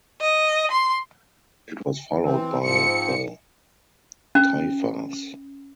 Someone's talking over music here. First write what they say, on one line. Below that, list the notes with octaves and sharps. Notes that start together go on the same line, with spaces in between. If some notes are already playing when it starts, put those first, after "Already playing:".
It was followed by the Taifas.
D#5
C6
E3 C4
G#2 F3 C4 C#7
C#4